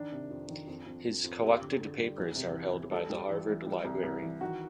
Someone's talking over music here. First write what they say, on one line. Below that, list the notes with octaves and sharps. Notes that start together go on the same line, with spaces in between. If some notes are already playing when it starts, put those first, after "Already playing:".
His collected papers are held by the Harvard Library.
Already playing: D#3 D4
C3
F2
D#3
F2
F2
F2
F2
F2 G4
D3
D3
G3
E2
C3
E3
E2
G3 A4
G3
E3
E3
G3
C2
C2
E3
D#3 F#4